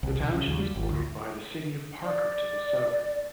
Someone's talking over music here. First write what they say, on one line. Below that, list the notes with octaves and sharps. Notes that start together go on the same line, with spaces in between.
The township is bordered by the city of Parker to the south.
C2
B1
C#3
D#2
G3
G#1
D2
D5